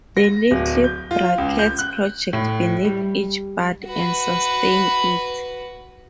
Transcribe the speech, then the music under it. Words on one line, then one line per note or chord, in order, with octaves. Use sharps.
The little brackets project beneath each bud and sustain it.
A#6
D1
G6
F4
C#2
G6
F#6
A2
G3
F#4 B4